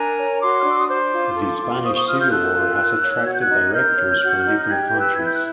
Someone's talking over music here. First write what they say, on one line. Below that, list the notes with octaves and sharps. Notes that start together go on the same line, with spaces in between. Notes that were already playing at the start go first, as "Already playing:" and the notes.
The Spanish Civil War has attracted directors from different countries.
Already playing: D4 A#4 G#5 A#5
C#5
F#4 C6 D6
F6
D4 E6
D#6
C5 C6 D6
F4
A4
F4
C5 C#6 D#6
C#6 D#6
F4 D#6 F6
F6 G6
A4 E6 F#6
F4
A#4
C#5
F#4 G#6
G6
F#6 G#6
D#4
A#4 F6 G6
C#5
F#4
D#4
G4 F#6 G#6
B4 G6
E6 F#6
E4 G#6
G6
F#6